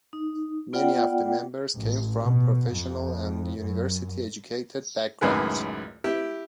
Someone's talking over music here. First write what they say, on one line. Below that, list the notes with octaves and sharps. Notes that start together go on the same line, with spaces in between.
Many of the members came from professional and university-educated backgrounds.
D#4
B3 F4 D5 F#5 G5
A1
B2
F2
F#2
C#2 F#2 A2 D#3 G#4 B4
E4 G4 G5